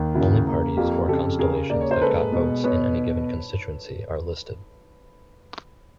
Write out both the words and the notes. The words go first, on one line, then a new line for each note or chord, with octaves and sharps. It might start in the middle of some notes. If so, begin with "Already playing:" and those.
Only parties or constellations that got votes in any given constituency are listed.
Already playing: D#2
C#3 E4 F#4
A#3
F2 F4 G4
C#3 G4 A4
C#3 G#4 A#4
A#3 D5
C#5
C5
G#3 A4 B4
B2
B2 B4 C#5